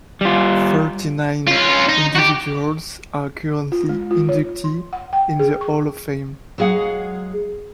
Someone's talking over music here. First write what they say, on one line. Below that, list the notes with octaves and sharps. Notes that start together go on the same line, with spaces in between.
Thirty-nine individuals are currently inductees in the Hall of Fame.
G3 F4
C#4 F4
D#4
F#4 G4
F4
G#3
F4
C#5
C6
F#5
G5
G#4
C#6
F#3 G#3 G#4 F5 F#5